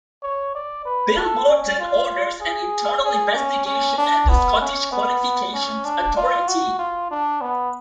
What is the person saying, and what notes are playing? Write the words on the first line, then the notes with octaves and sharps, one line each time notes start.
Bill Morton orders an internal investigation at the Scottish Qualifications Authority.
C#5
D5
B4
A4
C#4
F4
G#4
G#4
C#4
C#4
D4
B3
C#4
B3
C#4
D4
F4
F#4
F4
D4
B3